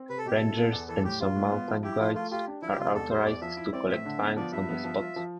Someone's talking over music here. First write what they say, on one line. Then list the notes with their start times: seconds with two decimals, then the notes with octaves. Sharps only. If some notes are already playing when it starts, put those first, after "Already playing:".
Rangers and some mountain guides are authorized to collect fines on the spot.
Already playing: C4
0.09 C3 B4
0.18 A4
0.25 B2 G4
0.36 A4
0.41 E4
0.57 B3
0.72 E2
0.88 E3 A4
1.04 A2 G4
1.20 G3 F4
1.36 A2
1.52 B3
1.68 F3
1.83 E4 G4
1.99 F3 F4
2.15 A3 F4
2.31 F4 G4
2.47 D4
2.62 F3 E4
2.71 G4
2.78 C3 F4
2.94 E2 A4
3.10 G3 C5
3.25 E2 D5
3.42 F3 E5
3.57 E4
3.73 C4 D5
3.89 A2 E5
4.05 D3
4.21 B3
4.37 F3 D5
4.52 G2 E5
4.69 B3
4.84 F3
5.00 F4
5.16 F3